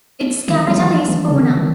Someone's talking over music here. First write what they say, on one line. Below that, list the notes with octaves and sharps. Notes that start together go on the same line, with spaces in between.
Its capital is Puna.
D#3
F#3
E3
E3
C#3
D#3
D#3